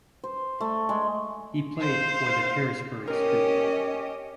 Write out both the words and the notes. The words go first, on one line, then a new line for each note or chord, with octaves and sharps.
He played for the Harrisburg–St.
C5
A3
G#3
C5 F5
C#4 G4 A#4 D#5